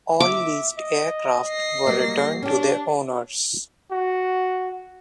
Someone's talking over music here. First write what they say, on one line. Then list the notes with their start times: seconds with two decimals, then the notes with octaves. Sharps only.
All leased aircraft were returned to their owners.
0.20 E5 D6
0.79 D#5
1.49 A#6 C7
1.86 F#3 G3 A#3
2.43 C#4 D4 G4
3.91 F#4